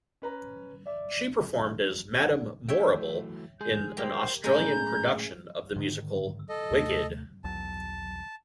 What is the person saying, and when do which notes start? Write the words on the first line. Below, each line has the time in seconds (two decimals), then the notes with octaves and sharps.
She performed as Madame Morrible in an Australian production of the musical "Wicked".
0.22 C#4 B4 A#5
0.87 D5 E5
2.69 E3 F#3 A3 C#5 E5 G5
3.61 G#3 G#4 G6
3.97 A#3 G4 C5 G5
4.44 A2 G#3 A#3 C#4 A#5 B5 G6
5.76 G#2 D3 D#3
6.49 A4 D#5
6.71 D#2 C3 A3
7.44 B1 E2 F#3 A5